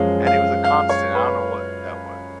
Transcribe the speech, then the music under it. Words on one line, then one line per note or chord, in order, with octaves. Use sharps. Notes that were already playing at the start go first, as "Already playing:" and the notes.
And it was a constant, I don't know what that was,
Already playing: F#2 F3 G#3 C#4 F5
F5
F5
C#5
B4